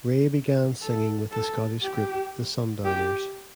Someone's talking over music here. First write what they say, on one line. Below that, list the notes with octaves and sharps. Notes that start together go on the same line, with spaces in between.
Ray began singing with the Scottish Group the Sundowners.
A4
A4
G4
G4